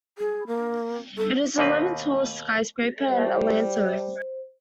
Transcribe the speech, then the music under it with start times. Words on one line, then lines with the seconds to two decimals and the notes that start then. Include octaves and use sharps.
It is the eleventh-tallest skyscraper in Atlanta.
0.18 G#4
0.47 A#3
1.18 A4
1.58 D#2 B2 A#3 C4 B4
3.09 G3 C5